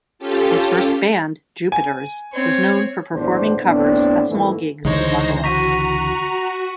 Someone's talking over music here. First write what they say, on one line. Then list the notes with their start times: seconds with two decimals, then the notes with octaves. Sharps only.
His first band 'Jupiters' was known for performing covers at small gigs in Lahore.
0.19 C#4 F4 G4 A4
1.72 G#5
2.34 C4 C#5
3.14 B1 E2 A2 D#3 D4 C5
3.63 A2 B3 C4 D4
4.30 F2 G#2 D#3 E3 A3 A#3
4.85 C#2 D3 E3 G#3 D#4 C5 C#5 A#6
5.44 F#4 A#5 C#6 B6 D#7